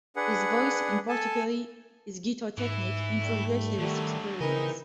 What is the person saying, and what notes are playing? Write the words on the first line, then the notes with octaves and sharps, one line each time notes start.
His voice, and particularly his guitar technique, improved greatly with experience.
D4 G#4 B4 F#5
A4 G#5 A5
G#2 E3 E4
G3 A3
D3 D#3 F#3 G3
A#1 C#3 E3 C4 D#4 A#4 D#5